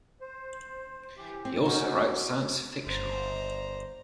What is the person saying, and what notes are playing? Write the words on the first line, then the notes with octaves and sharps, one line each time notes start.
He also writes science fiction.
C5
E3 G4
C4
C#4 D#4 F#4
G1 C5 A#5